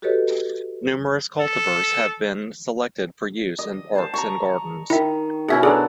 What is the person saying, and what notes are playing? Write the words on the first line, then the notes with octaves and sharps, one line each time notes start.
Numerous cultivars have been selected for use in parks and gardens.
F#4 G4 A4 B4 C#5 D#5
A4
D#5
C5 A5
A#5 C#6
D#3 E4 E5
B2 C#4 E4 G#4 E5 G#6
F#3 D4 G#4 A4 B4